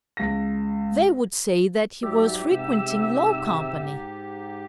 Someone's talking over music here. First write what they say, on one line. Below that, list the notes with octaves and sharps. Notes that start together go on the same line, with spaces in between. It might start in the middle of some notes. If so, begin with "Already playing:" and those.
They would say that he was frequenting low company.
C#2 A#6
G#2 F#3 G4 D5 E5
C3 E5 E6